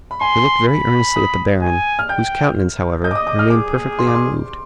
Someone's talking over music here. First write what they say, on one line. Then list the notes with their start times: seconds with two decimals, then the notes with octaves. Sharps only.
He looked very earnestly at the baron, whose countenance, however, remained perfectly unmoved.
0.11 B5
0.21 G#5 C6
0.68 B5
1.16 D#6
1.62 G#5
1.99 F6
2.09 G5 G6
3.04 D#5 G6
3.11 D6
3.15 D#6
3.27 D6
3.39 F6
3.50 G#4 D6
3.99 C6
4.07 D6
4.15 C6